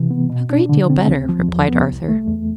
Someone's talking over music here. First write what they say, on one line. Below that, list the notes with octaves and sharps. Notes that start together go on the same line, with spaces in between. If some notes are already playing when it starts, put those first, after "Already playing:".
"A great deal better," replied Arthur.
Already playing: C3 E3
B3
B2
D4
D3
C4
D2
F3
E2
B3
C2
A3
E2